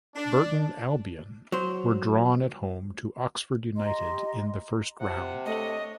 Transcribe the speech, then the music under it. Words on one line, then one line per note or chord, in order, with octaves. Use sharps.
Burton Albion were drawn at home to Oxford United in the first round.
D4
F#3 C5
G4 D#5 A#5 C6
C3 F#5 A5
A3 D4 C#5 D#5